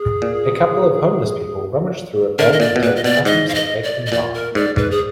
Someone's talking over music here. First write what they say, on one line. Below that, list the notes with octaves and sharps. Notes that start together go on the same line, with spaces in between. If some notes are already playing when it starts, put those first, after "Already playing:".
A couple of homeless people rummage through a bag containing items that make them laugh.
Already playing: G#4
A#2
D3 A#4
D#5
A#2 D5
B2
A#2 B4
D#5
B2 D5
G#2 D#5
F5
D#5
D5
D#5
A#2 D5
A#4
G#2 D5
G#2 B4
G#4